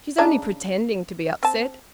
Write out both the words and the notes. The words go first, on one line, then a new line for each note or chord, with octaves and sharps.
She's only pretending to be upset.
C#3 D4 D#4
C4 A5